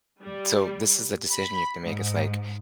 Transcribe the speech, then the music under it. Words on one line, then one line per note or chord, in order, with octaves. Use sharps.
n so, this is a decision you have to make, it's, like,
G3
B5
G#2